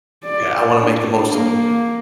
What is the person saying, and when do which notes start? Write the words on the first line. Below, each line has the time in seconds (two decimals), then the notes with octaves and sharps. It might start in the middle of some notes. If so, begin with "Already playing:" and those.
yeah, I wanna make the most of
0.24 D5
0.83 D4
1.34 A#3